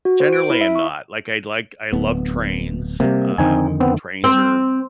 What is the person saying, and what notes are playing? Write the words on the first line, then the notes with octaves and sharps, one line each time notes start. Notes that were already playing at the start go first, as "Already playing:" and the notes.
generally I'm not. Like, I'd like I love trains, um, trains are
F#4
C5
D7
E4
E5
C#6
D1 B3
C3 G3 G#3 A#3
F2 D3 D#3 C4 D#4 G#5
B3 C4
C4